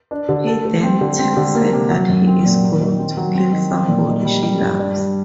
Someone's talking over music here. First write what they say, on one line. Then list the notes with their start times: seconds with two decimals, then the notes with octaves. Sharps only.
He then tells her that he is going to kill somebody she loves.
0.11 D4
0.29 D3
0.47 A4
0.65 A3
0.83 C4
1.01 D3
1.19 C4
1.37 D3
1.55 A#3
1.73 C3
1.91 F#3
2.09 F#2
2.27 C4
2.45 A#2
2.63 A#3
2.81 D#3
2.99 C4
3.17 F#3
3.35 C4
3.53 D#3
3.71 C4
3.89 A#2
4.07 D#4
4.25 G3
4.43 G3
4.61 G2
4.79 D4
4.97 G3